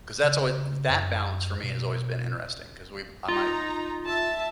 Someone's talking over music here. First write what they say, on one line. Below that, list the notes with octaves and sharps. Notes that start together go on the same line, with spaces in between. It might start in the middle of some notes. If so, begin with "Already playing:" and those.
'Cause that's alway th that balance for me, has always been interesting, 'cause we I might
C#3
F#2
B2
D#4 F4 A#5
E5 A5